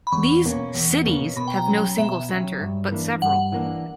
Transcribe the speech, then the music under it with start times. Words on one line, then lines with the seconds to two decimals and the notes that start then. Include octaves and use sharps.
These "cities" have no single centre, but several.
0.07 B5
0.12 E2 C#6
0.44 B2 A#3 C#4
0.74 E2
1.05 B2 A#3 C#4
1.36 B2 B5
1.48 G5
1.57 A#5
1.68 F#3 C#4
1.78 G5
1.98 B2 E5
2.29 F#3 C#4
2.60 G2
2.91 E3 A#3 D4
3.22 G2 F#5
3.52 E3 A#3 D4